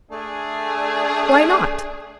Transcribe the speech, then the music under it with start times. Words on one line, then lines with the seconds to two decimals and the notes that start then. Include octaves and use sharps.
Why not?
0.11 A3 D4 G#4